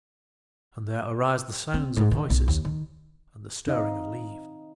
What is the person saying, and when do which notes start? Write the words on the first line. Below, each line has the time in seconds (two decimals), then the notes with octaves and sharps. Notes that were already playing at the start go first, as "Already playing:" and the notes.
And there arise the sounds of voices and the stirring of leaves.
1.74 C4
1.97 G#2
2.11 D#3
2.30 B1
2.48 D#2
2.65 D#3
3.67 C4 D#4 D#5 F5